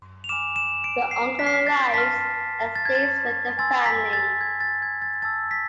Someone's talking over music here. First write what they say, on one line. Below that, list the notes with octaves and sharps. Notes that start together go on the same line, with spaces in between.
The uncle arrives and stays with the family.
F7
G#5 B5 D6 F6 E7
E7
D7
C7
B6
C7
B6
A6
A5 C6 F6 B6
A6
G#6
A6
G#5 C6 E6 A6
B6
A6
G#6
A6
G#6
A6
A5 E6 A6
B6